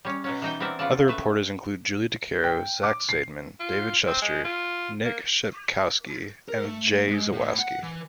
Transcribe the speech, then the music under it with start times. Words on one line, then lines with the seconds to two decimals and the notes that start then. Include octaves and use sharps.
Other reporters include Julie Dicaro, Zach Zaidman, David Schuster, Nick Shepkowski, and Jay Zawaski.
0.05 G3 C#4
0.24 B2 F#3 C#4
0.42 E3 D#4 G5
0.60 B3 C4 A#4 D5 E5
0.79 C#3 B3 F4 D5 A5
1.08 A3 B4 E5
2.44 G5
2.83 D6
3.09 C7
3.60 F4
4.07 C4
4.22 G#3
4.44 F4
5.05 A#3
6.49 A#4
6.65 A3
7.09 G#3
7.32 A2
7.59 F#5
7.83 E3